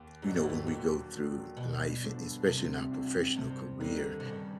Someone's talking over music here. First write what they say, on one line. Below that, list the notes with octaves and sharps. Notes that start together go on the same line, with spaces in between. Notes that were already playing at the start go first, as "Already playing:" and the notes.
you know, when we go through life, especially in our professional career,
Already playing: D#2
G#2 D3 F#3
A2
G#2
D#2 A#2
D3 F#3
G2 B2
D3 F3 A3 D4
G2 C3
D3 F3 A3 D4
G2 C3
D3 D#3 G3
C3
G2 C#3